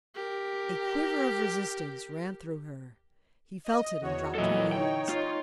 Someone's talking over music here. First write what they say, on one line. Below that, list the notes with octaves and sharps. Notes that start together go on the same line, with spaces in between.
A quiver of resistance ran through her: he felt it and dropped her hands.
G4 A#4
D#5
E2 F#4 C#5
A#2 E3 F#3 A4 D#5
D#4 C#5 G5
F4